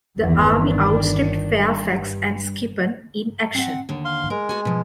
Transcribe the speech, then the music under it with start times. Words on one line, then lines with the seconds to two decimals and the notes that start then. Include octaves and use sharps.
The army outstripped Fairfax and Skippon in action.
0.20 G1 E2 D#3 E3
0.72 D4
1.51 G2
3.55 C4 F#5
3.89 D#2 D3
4.05 F5 C6
4.30 G#3 A#4
4.49 B3 F#4 G#5
4.65 B2 F3